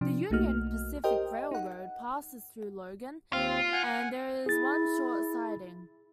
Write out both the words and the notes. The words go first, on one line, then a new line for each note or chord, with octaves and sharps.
The Union Pacific Railroad passes through Logan, and there is one short siding.
C3 F3 D4
B1 A3 A#3 D#4 F#4 F6
G4 A#4 C5 D#5 G5
D#4 F#5
D#2 C4 F4
F#5 G#5
E4 G#4 A6